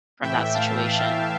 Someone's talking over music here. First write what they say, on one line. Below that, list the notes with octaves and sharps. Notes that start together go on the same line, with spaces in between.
from that situation.
A2 E3 E5 G5
F5 A5
F5 A5